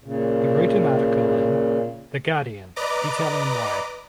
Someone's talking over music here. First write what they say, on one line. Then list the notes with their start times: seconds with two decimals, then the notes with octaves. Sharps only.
He wrote an article in "The Guardian" detailing why.
0.04 A#2 C#3
2.76 B4 D5 D#5 A#5 D6